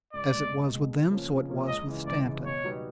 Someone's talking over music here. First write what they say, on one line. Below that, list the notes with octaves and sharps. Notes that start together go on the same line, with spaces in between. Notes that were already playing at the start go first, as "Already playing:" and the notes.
As it was with them, so it was with Stanton.
C#2 D5
B2 G#3
C#2
B2 G#3
C#3
F3 A#3 C#4
C#3
F3 A#3 C#4
C#2 D#5
C#3 E3 G#3
C#2 D5
C#3 E3 G#3
B2 C#5
G3 B3 D#4 F#4